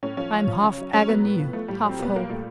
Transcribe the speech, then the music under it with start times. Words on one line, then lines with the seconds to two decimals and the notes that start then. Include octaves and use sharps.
I am half agony, half hope.
0.03 A2 C#4
0.17 F3 C#4
0.33 F3
0.48 F3
0.63 C#3
0.78 F#3
0.93 F#3 C#4
1.08 F#3 B3
1.23 A2
1.38 F3
1.53 F3 A3
1.68 A2 G3
1.83 F#3
1.89 C4
1.99 A#2 B3
2.13 A#2 A#3
2.29 A#2 A3